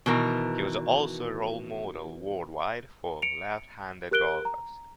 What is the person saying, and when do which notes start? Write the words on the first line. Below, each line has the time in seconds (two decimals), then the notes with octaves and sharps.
He was also a role model worldwide for left-handed golfers.
0.06 B2 D#3 E3 A#4
3.22 C#7 D7 F7
4.11 G4 A#4 F#6 D7 G7
4.45 A#5